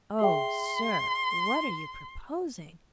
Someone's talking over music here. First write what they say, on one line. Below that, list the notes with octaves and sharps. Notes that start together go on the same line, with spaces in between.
"Oh, sir, what are you proposing?"
G#4 E5 G5 C6